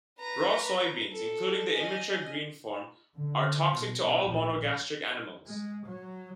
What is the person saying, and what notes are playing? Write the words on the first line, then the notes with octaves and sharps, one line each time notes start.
Raw soybeans, including the immature green form, are toxic to all monogastric animals.
B4 A#5
A4
D#5 G#5
D3
B2
A#1
G#3
F#3